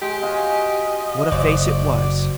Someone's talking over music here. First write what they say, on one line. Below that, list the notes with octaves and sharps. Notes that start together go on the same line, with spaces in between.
What a face it was!
G#3 G4
F4 F#4 D#5 G#5
F#1 F#4 C5 D5